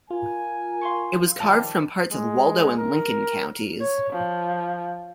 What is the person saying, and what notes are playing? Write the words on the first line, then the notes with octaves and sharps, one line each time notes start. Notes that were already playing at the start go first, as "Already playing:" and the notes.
It was carved from parts of Waldo and Lincoln counties.
F4 A#4 G#5
F5 C6 C#6
D#3 F3 G3 A5
G#3
A#4
C#5
F3